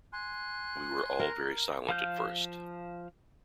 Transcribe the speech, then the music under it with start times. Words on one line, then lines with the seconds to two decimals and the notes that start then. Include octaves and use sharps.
We were all very silent at first.
0.13 G#5 C6 F#6
1.19 A#4
1.89 F3 F5 F6 G6